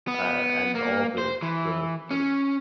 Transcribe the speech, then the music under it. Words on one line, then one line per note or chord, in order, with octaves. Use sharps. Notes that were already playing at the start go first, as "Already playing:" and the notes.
uh, and all the the sort of
B3
A#3
C5
E3
C#4